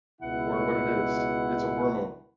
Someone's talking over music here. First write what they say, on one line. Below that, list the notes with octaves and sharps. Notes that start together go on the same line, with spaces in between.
or what it is? It's a hormone.
C#2 B2 E4 F#5